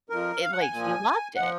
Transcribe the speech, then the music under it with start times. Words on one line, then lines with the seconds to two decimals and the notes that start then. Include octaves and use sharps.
it like he loved it!
0.10 F2 F3 A#4
0.42 F5
0.52 F#5
0.62 G#5
0.72 A#2 F3
1.36 F3 F#5